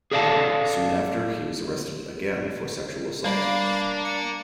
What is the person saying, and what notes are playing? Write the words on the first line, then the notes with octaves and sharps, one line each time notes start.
Soon after, he was arrested again for sexual assault.
G#4 A4 D5 D#5 F5 A5
G3 A#3 D4 F5 B5
C#7